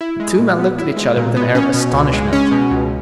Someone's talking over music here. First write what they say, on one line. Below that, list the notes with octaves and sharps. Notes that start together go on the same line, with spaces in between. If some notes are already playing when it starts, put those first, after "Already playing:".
The two men looked at each other with an air of astonishment.
E4
G#3
A#2
B3
E4
G#3
A#2
B3
C#4
B2
C#2
G#3
C#4
B2
C#2